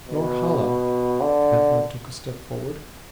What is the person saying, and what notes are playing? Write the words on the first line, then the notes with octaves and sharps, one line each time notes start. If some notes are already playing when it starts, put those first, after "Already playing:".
"Norhala." Ventnor took a step forward.
B2
D3